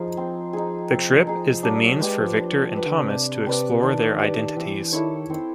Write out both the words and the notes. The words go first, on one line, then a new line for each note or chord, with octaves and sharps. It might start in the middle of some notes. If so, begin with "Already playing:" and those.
The trip is the means for Victor and Thomas to explore their identities.
Already playing: F3 D#4 G#4
C4
D#4 G#4
C4
D#4 G#4
F#3 D4
G3
F#3
G#3 G4 B4 D5
F3
D4
G4 B4 D5
D3
C#3
C3 D4
C3 G4 B4 D5
D#3 D4
G4 B4 D5
E3 C4
D#3 E4 A4 C#5
D#3 C4